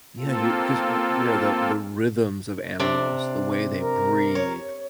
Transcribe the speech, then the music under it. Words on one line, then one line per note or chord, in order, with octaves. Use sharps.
yeah, you 'cause, you you know, the the rhythms of animals, the way they breathe,
A#3 C4 F4 A4
C3 D4 D5
A#4
C#5